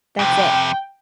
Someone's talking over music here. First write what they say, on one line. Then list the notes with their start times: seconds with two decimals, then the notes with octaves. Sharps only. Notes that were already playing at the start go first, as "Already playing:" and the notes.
that's it.
0.19 F2 C3 G5